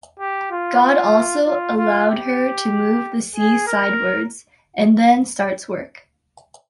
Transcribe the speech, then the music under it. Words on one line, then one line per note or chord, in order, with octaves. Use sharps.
God also allowed her to move the sea side wards and then starts work.
G4
F4
F4
F4
F4
G4
G#4
A#4